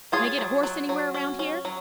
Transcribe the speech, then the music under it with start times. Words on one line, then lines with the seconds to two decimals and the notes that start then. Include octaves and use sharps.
"Can I get a horse anywhere around here?"
0.12 F#3 F4 G#4
0.38 F#3
0.63 F#3
0.89 F#3
1.14 C#4
1.39 C#4
1.65 F#3